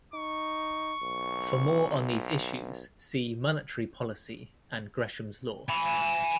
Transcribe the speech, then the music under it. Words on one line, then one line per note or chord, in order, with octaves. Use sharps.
For more on these issues, see Monetary policy and Gresham's Law.
D#4 C#6
B1
G#5 B5